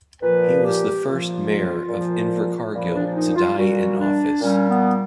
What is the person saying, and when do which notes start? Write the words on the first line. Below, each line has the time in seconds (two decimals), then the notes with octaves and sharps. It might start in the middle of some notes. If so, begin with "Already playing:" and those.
He was the first Mayor of Invercargill to die in office.
0.22 A#2 F3 B4
0.64 G4
1.06 A#2 F3 F4
1.89 A#2 F3
2.74 A#2 F3 E4
2.94 D4
3.06 D4
3.15 D#4
3.36 F4
3.57 A#2 G3 F#4
3.99 D4
4.40 A#2 G3 C#4
4.69 B3